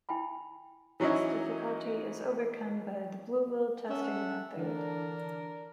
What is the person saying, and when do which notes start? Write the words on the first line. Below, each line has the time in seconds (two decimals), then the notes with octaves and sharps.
This difficulty is overcome by the bluewool testing method.
0.09 E4 G5 G#5 B5
1.00 E3 F#3 C#4 D#4 E4
3.89 C#4 A4 E5 F#5
4.57 D3 E3 D4 A#4